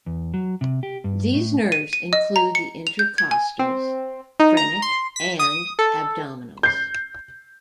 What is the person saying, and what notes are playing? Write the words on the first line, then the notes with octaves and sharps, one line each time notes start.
These nerves include the intercostals, phrenic, and abdominals.
E2
F#3
C3
G4
G2
A2
D#7
D#7
D#5
A#5
C#7
F7
G6
G#6
G#5
C4
D#4
A#5
C6
B6
D#6
A4
G6 C7